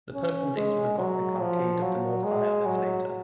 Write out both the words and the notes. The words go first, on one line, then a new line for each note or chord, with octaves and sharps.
The Perpendicular Gothic arcade of the north aisle is later.
C#4
G#3
F#3
F3
F#3
G#3
F#3